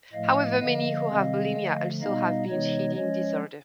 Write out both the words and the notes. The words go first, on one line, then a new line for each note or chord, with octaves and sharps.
However, many who have bulimia also have binge-eating disorder.
A2 F3 A3 D#5 F5
D3 F3 A#3 D#5 F5
C3 D#3 G3 C4
D3 F3 A3
B2 G3 B3 D#4 D#5 F5
C3 E3 G#3 B3 D#4 C#5 D#5
F3 G#3 C#4 C#5 D#5